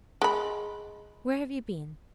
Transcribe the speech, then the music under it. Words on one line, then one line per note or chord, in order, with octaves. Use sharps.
Where have you been?'
G#3 B5